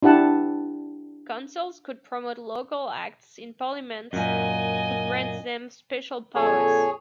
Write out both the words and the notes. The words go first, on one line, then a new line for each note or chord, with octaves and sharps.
Councils could promote Local Acts in Parliament to grant them special powers.
D4 E4 G4 F#5 A5
F#2 A#2 D#5 G#5
F2 A#2 G#4 A4 C#5